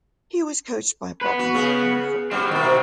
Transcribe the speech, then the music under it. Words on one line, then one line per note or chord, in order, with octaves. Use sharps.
He was coached by Bob Newton in football.
B3 B4
F#4
C#3 G#4
G3 C4 F#4
B2 D#3